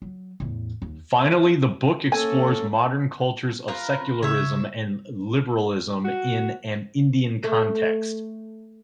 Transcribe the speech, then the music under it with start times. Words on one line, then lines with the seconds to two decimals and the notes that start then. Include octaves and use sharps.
Finally, the book explores modern cultures of secularism and liberalism in an Indian context.
0.02 F#3
0.40 E2 A2
0.82 D#2
2.12 A#3 C#4 A4 G#5
3.68 F4 A#4 B4
4.22 C#3 C#5 E5
6.05 F#4
7.44 A3